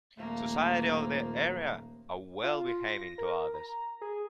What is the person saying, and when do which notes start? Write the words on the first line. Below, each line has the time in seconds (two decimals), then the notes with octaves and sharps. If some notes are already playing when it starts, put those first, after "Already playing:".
Society of the area are well behaving to others.
0.18 D#1 F3 A3 A#3
2.43 F4
2.88 A#6
3.18 A#4
3.54 A#5
4.01 G#4